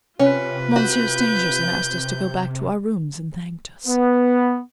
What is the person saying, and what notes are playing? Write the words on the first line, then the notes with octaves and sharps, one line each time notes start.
Monsieur Stangerson asked us to go back to our rooms and thanked us.
C3 C#4 F4 B4
F#4 G6
B3